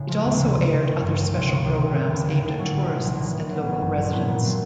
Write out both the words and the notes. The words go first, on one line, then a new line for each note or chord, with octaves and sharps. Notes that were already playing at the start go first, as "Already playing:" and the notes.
It also aired other special programs aimed at tourists and local residents.
Already playing: A2 C#3
F3 A3
D2
C3 E3 A3
G#2
F3 A3 D4
A1
G2 D#3 G#3
C#2
C3 F3 A3
C#2
C3 D#3 G3
A#1
G#2 D#3 G3
D#2
D3 G3 A#3
A2
F#3 A3 C#4
C2
C3 D#3 G#3
A#1
A2 E3
A2
F#3 B3
A1
G2 E3
A#1
A2 F#3 B3 E4
A#2
F#3 A3 C4